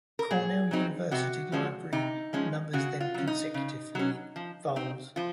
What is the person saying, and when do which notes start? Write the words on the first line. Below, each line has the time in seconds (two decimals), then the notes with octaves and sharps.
Cornell University Library numbers them consecutively, vols.
0.19 A#4
0.31 A#2 G#4
0.71 F#3 C4 D#4
1.11 C3 F#4
1.52 F3 G#3 C#4
1.93 C3 D#4
2.33 F3 G#3 C#4
2.73 C#3 F#4
3.00 F4
3.14 F#3 C#4
3.27 D#4
3.54 C#3
3.95 F#3 C#4
4.36 F3
4.76 C4 D#4
5.16 F3 F4